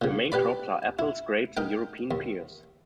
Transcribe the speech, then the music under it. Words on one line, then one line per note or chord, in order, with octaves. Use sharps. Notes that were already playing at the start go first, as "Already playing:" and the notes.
The main crops are apples, grapes and European pears.
A#2 C#3
G4 B4 D5 B5
E4
D#4 A#4 G5
D#2